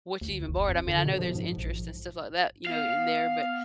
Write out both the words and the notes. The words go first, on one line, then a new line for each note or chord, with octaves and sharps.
what you even borrowed. I mean, I know there's interest and stuff like that, you know, in there, but
D2
F#1
F2
D3
B2
F3
G#2
A#1
B3 F5